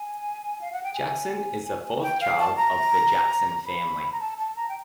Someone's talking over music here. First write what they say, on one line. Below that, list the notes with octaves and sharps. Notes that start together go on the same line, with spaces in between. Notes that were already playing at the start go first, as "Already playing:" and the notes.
Jackson is the fourth child of the Jackson family.
Already playing: G#5
F5
F#5
G5
G#5
G5
F5
A5
A#5
B5
A#5
A5
A5
A#5
G5